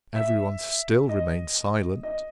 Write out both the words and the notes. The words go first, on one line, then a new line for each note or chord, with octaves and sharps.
Every one still remained silent.
E5
D#5
D#5